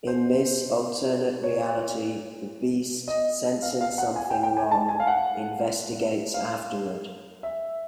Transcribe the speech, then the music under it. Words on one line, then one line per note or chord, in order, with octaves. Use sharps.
In this alternate reality, the Beast, sensing something wrong, investigates afterward.
C5
C#5
D#5
F5
F5
F#5
G#5
G5
G5
G#5
A5
G#5
F5
F#5
F5
E5